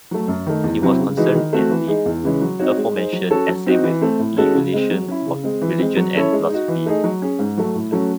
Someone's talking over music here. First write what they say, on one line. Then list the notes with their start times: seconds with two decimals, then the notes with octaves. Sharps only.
He was concerned in the aforementioned essay with the relation of religion and philosophy.
0.11 F#3 A3
0.28 F#2
0.46 D#3 A3
0.64 E2
0.82 C3 F#3 C4 E4
0.99 C#3
1.17 E3 G#3 D#4 F#4
1.35 D#3
1.53 A3 C4 F#4
1.71 E3
1.88 G#3 D#4 G#4
2.05 E2
2.24 C#3 E3 G#3 C#4
2.41 F#3
2.59 C4 D#4 F#4 C#5
2.77 G#3
2.95 D#4 G#4 C5
3.13 F#3
3.30 C#4 F#4 A4 C#5
3.48 F#3
3.66 C4 D#4 F#4
3.84 E3
4.01 A3 C4
4.19 A2
4.37 G#3 C#4 F#4 A4
4.55 C#3
4.73 G#3 C4
4.91 F#3
5.08 C#4 E4
5.27 C#3
5.43 G#3 C4
5.62 E3
5.79 G#3 C4
5.97 F#3
6.15 C#4 E4 A4 C#5
6.33 G#3
6.50 D#4 F#4
6.68 E3
6.86 A3 D#4 G#4
7.04 F#3
7.22 C#4 G#4
7.39 G#2
7.57 F#3 A3
7.75 A2
7.92 F#3 A3 C#4 F#4